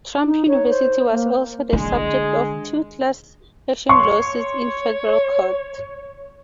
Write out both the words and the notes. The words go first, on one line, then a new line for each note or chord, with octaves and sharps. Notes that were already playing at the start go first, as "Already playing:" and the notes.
Trump University was also the subject of two class action lawsuits in federal court.
D#4
C#5
C5
A#3
D3 G#3
C#5 C6 C#6